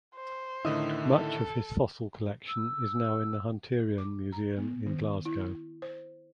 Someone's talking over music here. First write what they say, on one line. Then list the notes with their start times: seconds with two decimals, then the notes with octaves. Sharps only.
Much of his fossil collection is now in the Hunterian Museum in Glasgow.
0.16 C5
0.65 A2 D3 D#3 E4 D#5
1.07 A4
2.47 E6
3.98 D6
4.32 A#5
4.58 B3
4.86 D#3
5.26 E4
5.82 C5